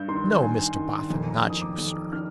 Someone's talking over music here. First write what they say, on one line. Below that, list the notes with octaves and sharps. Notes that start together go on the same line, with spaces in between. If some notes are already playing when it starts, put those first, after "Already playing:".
'No, Mr Boffin, not you sir.
Already playing: G2 G6
D#3 C6
G2 G#5
D#3
F2 G#5
A#5
D#3
D#6
D6
F2 D#6
D#3 F6